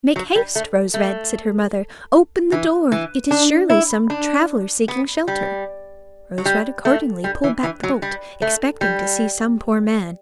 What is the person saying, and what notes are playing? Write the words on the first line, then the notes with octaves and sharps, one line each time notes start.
"Make haste, Rose-Red!" said her mother; "open the door; it is surely some traveller seeking shelter." Rose-Red accordingly pulled back the bolt, expecting to see some poor man.
F#3
G3
A3
A3
E3
E3
D4
E4
D4
B3
G3
F#3
G3
A3
G3
E3
E3
F#3
G3
A3
G3